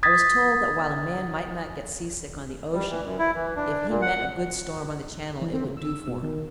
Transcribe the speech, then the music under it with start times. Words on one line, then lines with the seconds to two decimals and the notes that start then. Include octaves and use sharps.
I was told that while a man might not get seasick on the ocean, if he met a good storm on the Channel it would do for him.
0.03 D#6 G#6 A6 B6
2.73 G3
2.89 E3
3.04 F#2
3.19 E4
3.35 E3
3.56 D4
3.89 A#2
4.02 F#5
5.41 E3
5.54 C4
5.65 C#3
5.77 E6
5.94 E6
6.08 B2
6.23 D#3